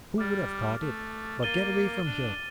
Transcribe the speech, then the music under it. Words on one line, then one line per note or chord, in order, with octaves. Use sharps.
Who would have thought it? But get away from here!
G3 D6 F6 A6
A3
A#3 A6 D#7 G7
D4